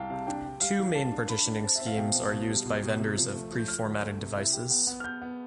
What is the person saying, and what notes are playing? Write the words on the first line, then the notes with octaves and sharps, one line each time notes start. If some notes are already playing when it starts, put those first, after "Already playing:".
Two main partitioning schemes are used by vendors of pre-formatted devices.
Already playing: C2 F5 G5 A5
C3 F5
D4 G5
G4
G3 F5
E3
G3 A5
D4
D4 B5
D4
C4 A5
E5
C4
F5
B2 G5
C4
B2
G3
B2
B2
C3
F3
A3
F3
G6
F3 F6
D2
A3
C3
E4
G4
B3
B3
F6
B3 G6
B3